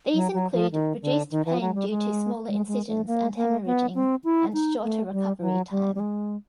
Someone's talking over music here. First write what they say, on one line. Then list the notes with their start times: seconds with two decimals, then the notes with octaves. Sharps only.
These include reduced pain due to smaller incisions and hemorrhaging, and shorter recovery time.
0.14 F#3
0.34 F#3
0.53 F3
0.72 D#3
1.02 D3
1.31 D#3
1.46 E3
1.54 F3
1.61 F#3
1.75 G3
1.90 G#3
2.48 G#3
2.68 G#3
2.88 A3
3.07 A#3
3.36 A#3
3.66 B3
3.95 C4
4.24 E4
4.53 D#4
4.83 A3
5.12 G3
5.41 F#3
5.71 G3
5.95 G3
6.00 G#3